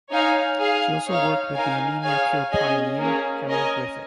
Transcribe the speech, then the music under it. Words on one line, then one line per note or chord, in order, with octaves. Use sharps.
She also worked with the anaemia cure pioneer Harold Griffith.
D#4 C#5 F5 G#5
G#4 F5 G#5
D#4 C#5 F5
D#4 A#4 F5 G#5
G#4 C#5 F5 G#5
C#4 G#4 D#5 G#5
A#3 C#4 G#4
C#4 A#4 D#5 G#5